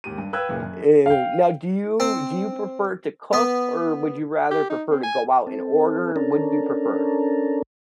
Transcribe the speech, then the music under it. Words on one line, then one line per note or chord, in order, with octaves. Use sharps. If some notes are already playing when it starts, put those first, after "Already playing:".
Eh, now do you do you prefer to cook, or would you rather prefer to go out and order? What do you prefer?
D#2 G#2 G4 D#7
G2
B4 F5 G5 E6 F#6 G#6
F#1 A#2 C#3
F#2
F5 G5
C4
B3
G4
D#4
C4
G#5
C4 A4
C#4 D4 A4 A#4